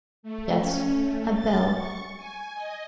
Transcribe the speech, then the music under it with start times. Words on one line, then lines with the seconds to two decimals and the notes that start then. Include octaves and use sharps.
Yes ... a bell ...
0.23 A3
0.61 C#4
0.93 A3
1.33 A6
1.73 C#6
2.16 G#5
2.55 D#5